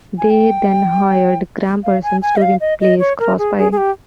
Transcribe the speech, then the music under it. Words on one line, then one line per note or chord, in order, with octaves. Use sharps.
They then hired Gram Parsons to replace Crosby.
G#5
G5
F5
G#5
G#5
D#5
F5
D#5
D#5
C#5
A#4
G#4
G#4
G#4
G4